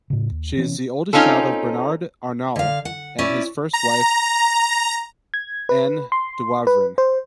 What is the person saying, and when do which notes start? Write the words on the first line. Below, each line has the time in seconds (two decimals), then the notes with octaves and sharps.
She is the oldest child of Bernard Arnault and his first wife, Anne Dewavrin.
0.10 A2 C#3
0.31 D#2
0.57 C3 E3 B3 C#4
1.13 C4 C#4 D#4 F4 A4
2.56 D3 F5
2.85 F#5
3.18 C#4 E4 B4 D5
3.73 A#5
5.34 G#6
5.69 B4
6.12 C6
6.67 B4
6.98 C5